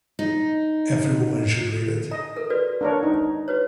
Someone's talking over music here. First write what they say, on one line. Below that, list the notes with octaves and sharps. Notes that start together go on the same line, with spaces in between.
Every woman should read it.
D#4
D#5 A#5
A4 A#4
F#4 B4 D5
D4 A#4 C#5
D#4
F#4 B4 C#5